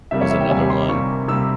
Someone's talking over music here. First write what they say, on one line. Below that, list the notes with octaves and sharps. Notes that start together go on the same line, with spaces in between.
was another one.
C3 G3 A#3 E5
C#5
E5
G5
C3 G3 A#3 G#5
C6
C3 G3 A#3 C#6
C3 G3 A#3 E6